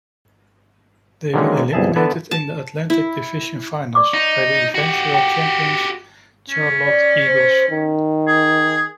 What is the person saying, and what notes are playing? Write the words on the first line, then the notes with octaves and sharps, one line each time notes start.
They were eliminated in the Atlantic Division Finals by the eventual champions, Charlotte Eagles.
D3 D#3 F#3 G#3 A#3 C#4
G1 C2 G#4 E5 A5
D3 B3 E4 A4 B4
A5
E4
D5 C#6 D6
D#4
F#4 G4
G5
C#4
D5
C5
D#3
G#4